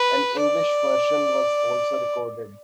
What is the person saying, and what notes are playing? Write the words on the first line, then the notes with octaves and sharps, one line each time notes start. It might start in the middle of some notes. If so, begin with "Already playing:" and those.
An English version was also recorded.
Already playing: B4
D5